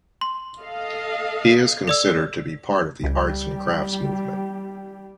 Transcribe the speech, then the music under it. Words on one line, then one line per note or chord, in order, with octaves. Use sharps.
He is considered to be part of the Arts and Crafts Movement.
C6
A4 D#5 F5
A4 D5 E6
C#2 G3 G4